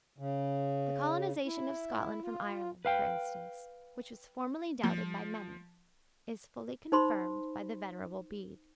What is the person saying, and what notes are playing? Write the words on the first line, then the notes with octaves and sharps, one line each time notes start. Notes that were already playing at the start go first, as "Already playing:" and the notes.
The colonisation of Scotland from Ireland, for instance, which was formerly doubted by many, is fully confirmed by the Venerable Bede.
C#3
E4
F4
B4 F5 G5
F3
D#4 C5 B5 C6